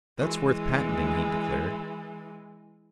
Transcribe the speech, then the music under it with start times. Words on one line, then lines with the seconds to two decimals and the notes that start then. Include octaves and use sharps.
"That's worth patenting," he declared.
0.18 E3 G#3